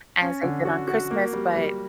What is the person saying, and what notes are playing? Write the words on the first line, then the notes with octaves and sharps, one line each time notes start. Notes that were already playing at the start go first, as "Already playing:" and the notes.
as they did on Christmas, but
C#4
D3
F#4
F#4
A#3
G3
G3